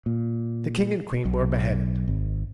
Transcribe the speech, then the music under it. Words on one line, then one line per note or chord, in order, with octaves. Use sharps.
The king and queen were beheaded.
A#2
B1
G#1